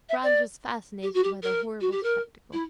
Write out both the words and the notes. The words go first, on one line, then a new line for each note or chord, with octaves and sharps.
Franz was fascinated by the horrible spectacle.
E5
D5
G4
F#4
G4
A#4
F#4
G4
A#4
E4